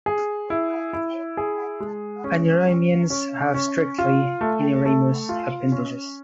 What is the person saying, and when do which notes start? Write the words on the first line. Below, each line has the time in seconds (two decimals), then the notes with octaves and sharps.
Uniramians have strictly uniramous appendages.
0.06 G#4
0.50 E4
0.93 E4
1.37 G#4
1.80 G#3
2.24 C#4
2.68 C#4
3.10 C#4
3.54 C#4
3.98 F4
4.41 A3
4.85 A3
5.29 F4
5.72 C#4